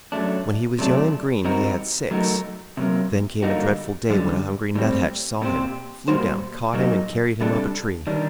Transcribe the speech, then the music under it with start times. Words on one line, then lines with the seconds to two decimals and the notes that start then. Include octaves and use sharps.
When he was young and green he had six, then came a dreadful day when a hungry Nuthatch saw him, flew down, caught him, and carried him up a tree.
0.12 F#2 F#3 A3 D4
0.79 C3 F#3 A3 D4
1.45 G3 C4 D#4 F#4 A#4
2.11 F#3 A3 D#4 F#4 A#4
2.77 C3 F#3 A#3
3.43 D3 G3 A#3 D#4 F#4
4.10 F#2 D3 G3
4.75 A2 G3 C4
5.41 A#2 A3 C4 G4 C5
6.08 A#2 G3 A#3 F#4 C5
6.74 A#2 F#3 A#3 D#4
7.41 C3 G3 D4 A4
8.07 D#3 G3 D4